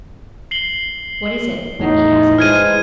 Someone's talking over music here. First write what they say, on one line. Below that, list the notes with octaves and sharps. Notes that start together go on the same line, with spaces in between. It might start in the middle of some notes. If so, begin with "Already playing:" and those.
'What is it?' Becky asked.
C7 F#7 G7
E2 A2 D#4
E3 F3 G#3 F6 G#6 D#7